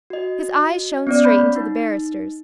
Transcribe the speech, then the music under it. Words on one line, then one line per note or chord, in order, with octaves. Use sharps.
His eyes shone straight into the barrister's.
F#4 D#5
B3 C#4 D5
C4 B5 G6
D#4